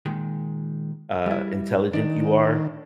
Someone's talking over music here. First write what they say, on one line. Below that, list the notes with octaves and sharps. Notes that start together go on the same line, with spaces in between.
uh, intelligent you are.
A#2 D#3 G#3
G3 E4
D#3 D4